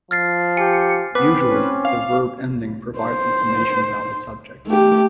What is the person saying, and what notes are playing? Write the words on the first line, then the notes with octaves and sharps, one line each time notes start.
Usually, the verb ending provides information about the subject.
F3 F6 A6 C7
G4 G#5 C#7
B3 C4 B4 D6
C#4
F5
C5
A3 G4